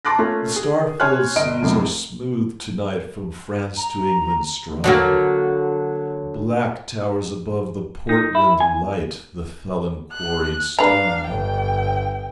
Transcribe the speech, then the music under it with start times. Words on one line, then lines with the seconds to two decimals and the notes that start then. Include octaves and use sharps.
The star-filled seas are smooth to-night From France to England strown; Black towers above the Portland light The felon-quarried stone.
0.05 A5 A#5 C6 D6 F#6 A#6
0.18 A3 A#3 C#4 F4
0.56 G#4
1.00 C#5 G#5 C6 F6 F#6
1.35 G1 D#5 D7
1.62 F1 F#2 A2
3.78 A#5
4.84 D3 F#3 A#3
8.09 D#4
8.35 E4
8.60 G#5
10.12 F#6
10.79 D4 B4 F5 A#5
11.27 G1 G5